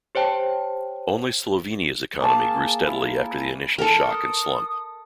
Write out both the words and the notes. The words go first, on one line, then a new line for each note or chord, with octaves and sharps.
Only Slovenia's economy grew steadily after the initial shock and slump.
G4 C5 C#5 G5 A5
A#3 G#4 A5
E4
A4 A#4
D#6